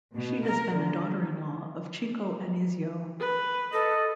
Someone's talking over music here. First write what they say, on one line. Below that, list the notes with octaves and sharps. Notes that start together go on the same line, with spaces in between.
She has been a daughter-in-law of Chico Anysio.
B2
A#4
D3
B4
A4 D#5